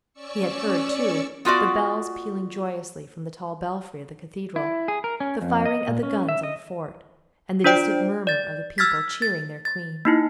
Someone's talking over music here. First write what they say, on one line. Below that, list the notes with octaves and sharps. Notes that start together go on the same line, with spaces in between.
He had heard, too, the bells pealing joyously from the tall belfry of the Cathedral, the firing of the guns on the fort, and the distant murmur of the people cheering their Queen.
C#4 D5 C#6 E6 C#7
B3 F4 F#4 D5
E4
G#4
A#4
C#4
F2
D#5
A#2
C#4
E5
D#5
D4 F4 C5 D5 G5 D7
D5 A6
E6 F6 G#6 A6 B6
A6
A6
A#3 D#4 E4